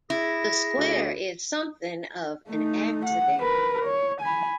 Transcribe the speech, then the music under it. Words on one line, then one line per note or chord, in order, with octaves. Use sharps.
The square is something of an accident.
E4 G#4 A#6
D2
A3 D#4
F#5
A#4 B4
C#5
G#5 B5